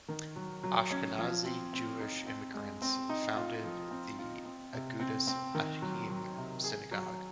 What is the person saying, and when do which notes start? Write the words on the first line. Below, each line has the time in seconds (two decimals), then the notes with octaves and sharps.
Ashkenazy Jewish immigrants founded the Agudas Achim Synagogue.
0.08 D#3
0.36 F#3
0.64 F#3
0.91 C#4
1.18 F3
1.45 C4
1.73 C4
2.00 D#4
2.27 C4
2.54 G#3
2.82 C4
3.09 D#4
3.36 F4
3.64 F3
3.91 C4
4.18 F4
4.45 C4
4.74 C3
5.00 C4
5.27 C4
5.55 D#3
5.82 F#3
6.10 F#3
6.37 C3
6.64 G#4
6.91 F#3